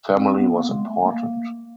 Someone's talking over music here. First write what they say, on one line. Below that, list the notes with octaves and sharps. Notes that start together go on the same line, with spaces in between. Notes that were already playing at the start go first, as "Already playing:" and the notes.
Family was important.
C4
B3
A#3
G#3
A3
A#3